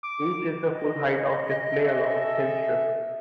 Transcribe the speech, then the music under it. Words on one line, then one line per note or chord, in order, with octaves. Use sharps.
Each is the full height of the display-a long, thin strip.
D6
D#5
G#4 A4 E5